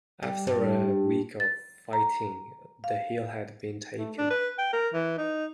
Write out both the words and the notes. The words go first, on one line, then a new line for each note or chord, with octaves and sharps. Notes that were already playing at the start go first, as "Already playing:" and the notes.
After a week of fighting, the hill had been taken.
G3
G2
A6
A#5
F5
A3
D4
B4
G5
A#4
E3
D#4